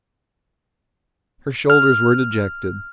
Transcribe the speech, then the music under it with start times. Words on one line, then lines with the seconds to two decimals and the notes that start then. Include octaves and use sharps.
Her shoulders were dejected.
1.70 F6